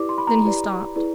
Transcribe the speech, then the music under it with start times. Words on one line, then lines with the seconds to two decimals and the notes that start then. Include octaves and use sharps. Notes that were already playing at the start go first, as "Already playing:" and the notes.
Then he stopped.
Already playing: E4 G4 B4 D5 D6
0.09 C6
0.18 B5
0.27 A#5
0.45 E4 G4 B4 D5
0.96 E4 G#4 B4 D5